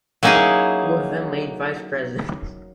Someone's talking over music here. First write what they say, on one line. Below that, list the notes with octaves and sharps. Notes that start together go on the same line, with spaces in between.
He was then made vice president.
F#3 A#3 C#4 D#4 E4 G#4